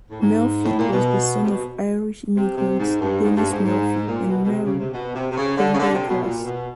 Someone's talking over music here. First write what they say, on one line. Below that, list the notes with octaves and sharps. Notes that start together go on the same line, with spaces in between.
Murphy was the son of Irish immigrants Dennis Murphy and Mary Prendergrass.
A2
G#2
A2
A#2
B2
C3
B2
C3
C3
G#2
G2
G#2
G2
G#2
G#2
A#2
B2
B2
C3
C#3
C3
B2
C3
C3
C#3
D3
C#3
D3
C3
B2
A#2
B2